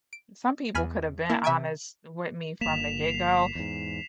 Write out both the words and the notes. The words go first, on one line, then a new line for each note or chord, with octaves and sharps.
some people could have been honest with me from the get-go,
D7
E2 G#5 B5 F6
A#3 E4
C3 E5 G#5 G#6 D7
G1 A#3 B6 E7 F7
C7 F7
C7
E2 G#2